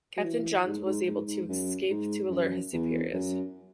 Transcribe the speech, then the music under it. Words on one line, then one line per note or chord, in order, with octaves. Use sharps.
Captain Johns was able to escape to alert his superiors.
F#3
E3
G#2
G#2
G#2
G#2
F#2
G#2
F#2
E2
F#2